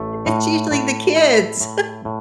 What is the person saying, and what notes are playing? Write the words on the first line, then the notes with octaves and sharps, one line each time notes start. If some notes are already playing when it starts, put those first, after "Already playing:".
It's usually the kids.
Already playing: A1 A3
A2
A2
E4
A2
A2